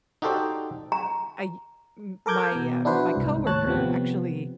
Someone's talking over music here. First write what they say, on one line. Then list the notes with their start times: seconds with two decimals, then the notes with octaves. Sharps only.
I m my, um, coworker actually
0.22 D#4 F#4 G4 A4 C5 D5
0.92 A#5
2.26 A4 A#4 D6 G6 G#6
2.52 B2 B3
2.85 D4 E4 F#4 B4 C5
3.15 C2 G#2
3.46 D#2 A2 C#5 A5 F#6 A6
3.67 C3 F3 B3 C4